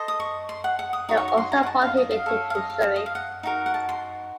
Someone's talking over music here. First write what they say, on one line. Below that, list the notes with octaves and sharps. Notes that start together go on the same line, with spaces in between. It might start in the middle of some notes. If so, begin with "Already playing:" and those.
They also prohibited usury.
Already playing: A4 C5 D#5
D#6
C#6
C6
F#5
F#5
D#6
D#4 F#4 C#5
C#6
C#6
C6
A#5
F#5
A5
F5
D#5
F5
A4 C#5
F5
D#5
F5
D#5
F5
F#5
D#4 F#4 A#4
F#5
A5
C6